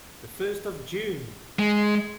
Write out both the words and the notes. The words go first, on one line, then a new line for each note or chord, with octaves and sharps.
The first of June!
G#3